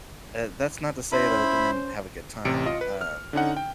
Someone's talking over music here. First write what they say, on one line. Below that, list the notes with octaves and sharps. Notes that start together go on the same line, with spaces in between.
uh, that's not to say that I didn't have a good time, um,
C#4 E4 C5 B5
A1 C3 C#7 D7
F4 D#5
B4
F6
D3 C#4 D#4 F#5
G5